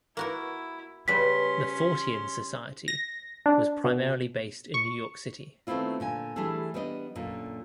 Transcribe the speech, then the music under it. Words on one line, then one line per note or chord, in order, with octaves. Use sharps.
The Fortean Society was primarily based in New York City.
A#3 E4 F#4 A#4
C#3 G3 C#4 B4 C6 B6
A#6
D4
B2
C#6
D#3 A3 B3 C4 E4 F4
A#2 D3 G#5
E3 G3 A3 D4 G#4 A4
G3 B3 D4 D5 D#5
F#2 A#2 D3